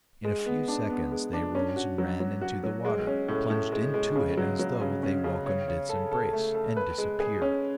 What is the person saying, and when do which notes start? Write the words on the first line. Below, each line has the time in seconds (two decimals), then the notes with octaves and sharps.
In a few seconds they rose and ran into the water, plunged into it as though they welcomed its embrace, and disappeared.
0.24 G#3
0.46 B3
0.68 D4
0.89 B3
1.12 G#3
1.33 D4
1.55 C#4
1.76 F#4
1.98 F#3
2.20 F#3
2.41 F#4
2.64 F#3
2.85 G#3
3.07 C#4
3.28 A2
3.50 A2
3.72 G#3
3.94 G#3
4.15 C#3
4.37 F#3
4.59 F#3
4.81 C#3
5.03 C#4
5.24 C#3
5.46 C#5
5.68 C#5
5.89 A4
6.12 A4
6.33 A3
6.55 A4
6.77 B4
6.98 G#3
7.20 G#4
7.42 C#4